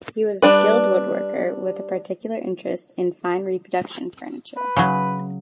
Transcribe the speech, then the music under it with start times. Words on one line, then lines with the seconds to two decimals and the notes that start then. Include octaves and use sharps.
He was a skilled woodworker, with a particular interest in fine reproduction furniture.
0.42 G3 D4 B4
4.57 B4
4.77 C#3 F#3